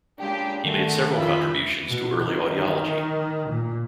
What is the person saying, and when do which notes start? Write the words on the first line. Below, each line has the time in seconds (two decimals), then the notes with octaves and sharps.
He made several contributions to early audiology.
0.19 A#2 C#3 G#3 D4 G4
0.65 D3 D#3 A3 F#4 G#4
1.14 F2 C#3 F4 E5 B5
1.88 B2
2.24 D#3
3.49 A#2